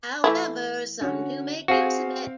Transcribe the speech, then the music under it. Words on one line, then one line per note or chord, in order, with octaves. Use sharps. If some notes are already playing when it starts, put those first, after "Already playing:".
However, some do make use of it.
E3 A3 E4
D3 C#4 F#4
C4 F#4 G#4 F5